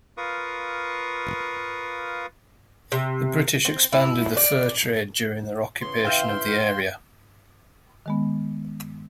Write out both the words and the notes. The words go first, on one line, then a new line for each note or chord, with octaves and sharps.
The British expanded the fur trade during their occupation of the area.
F4 A#4 B4 F5 C#6 D#6
C3
C4
E4
D5
C#3 E3 B3 C6
E5 F5 G5 F6 G6
D#3 G#3 B3